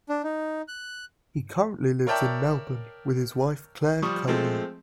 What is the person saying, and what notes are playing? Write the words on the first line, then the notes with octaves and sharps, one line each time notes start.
He currently lives in Melbourne with his wife, Clare Coney.
D4
D#4
F#6
A#4 C#5 D5 E5 G5 A5
F3 G3 C#6 D#6
F3 G#3 A3 C4